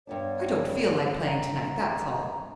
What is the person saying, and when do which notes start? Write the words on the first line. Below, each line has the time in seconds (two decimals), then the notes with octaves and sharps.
"I don't feel like playing to-night; that's all."
0.07 G2 B3 D4 C#5
1.25 A#5